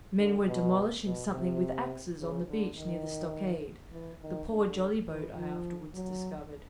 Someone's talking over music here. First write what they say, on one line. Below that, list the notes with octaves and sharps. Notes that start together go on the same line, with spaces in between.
Men were demolishing something with axes on the beach near the stockade--the poor jolly-boat, I afterwards discovered.
D3
B2
B2
C3
C#3
D3
D#3
E3
D#3
D3
E3
F3
F#3